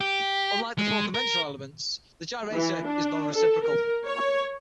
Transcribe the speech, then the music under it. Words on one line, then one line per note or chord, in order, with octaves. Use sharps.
Unlike the four conventional elements, the gyrator is non-reciprocal.
G4
G#3
A#4
E3
D4
A4
A#4
C#5